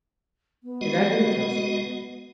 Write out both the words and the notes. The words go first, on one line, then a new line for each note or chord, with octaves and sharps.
and that really tells you that
B3
G#3 F#4 D#5